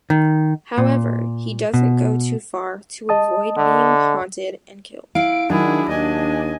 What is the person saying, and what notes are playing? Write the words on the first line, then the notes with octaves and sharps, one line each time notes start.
However, he doesn't go too far to avoid being haunted and killed.
D#3
A#2
B2
D#5 A5 D#6
D3
E4 F5 D7
D#3 F#3 D4 E4 G#4
D#2 D#5 G#5